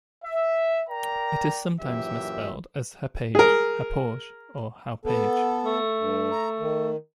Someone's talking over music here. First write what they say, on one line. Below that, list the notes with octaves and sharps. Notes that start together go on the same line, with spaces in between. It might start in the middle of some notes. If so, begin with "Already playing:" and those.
It is sometimes misspelled as Happage, Happauge, or Hauppage.
E5
A#4 D5 G5 A#5
F#2 A#2 E3 G4 E5
G#4 A#4
B3 A4
A3
G2
A#5
D#3